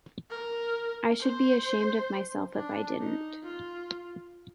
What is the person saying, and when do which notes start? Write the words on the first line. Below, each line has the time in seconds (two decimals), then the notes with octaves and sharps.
I should be ashamed of myself if I didn't.
0.30 A#4
1.20 C5
2.54 D4
2.99 D#4
3.43 F4